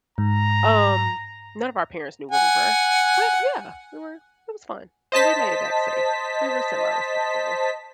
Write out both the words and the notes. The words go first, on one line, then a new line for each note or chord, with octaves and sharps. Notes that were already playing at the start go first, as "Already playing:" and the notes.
Um, none of our parents knew where we were, but yeah, we were it was fun, and we made it back safe. We were semi-responsible.
G#2 A#5
F#5 G#5
C5 D#5 A5 B6